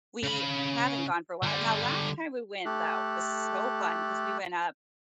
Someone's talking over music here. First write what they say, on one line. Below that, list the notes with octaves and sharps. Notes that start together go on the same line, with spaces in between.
we haven't gone for a while, now last time we went, though, was so fun, 'cause we went up
C#3 B5
D3 G3
A3 G4 A4 F#6